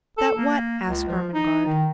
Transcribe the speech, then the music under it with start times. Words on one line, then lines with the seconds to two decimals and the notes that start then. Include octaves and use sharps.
"That what?" asked Ermengarde.
0.18 A4
0.35 A#3
0.87 C#2
1.08 F3
1.34 D#4
1.66 D#3